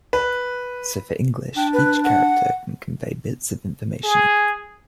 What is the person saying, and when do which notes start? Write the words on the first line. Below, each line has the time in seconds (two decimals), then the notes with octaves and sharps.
So for English each character can convey bits of information.
0.13 B4
1.56 D4 G5
1.73 B4
2.05 F#5
4.04 G#4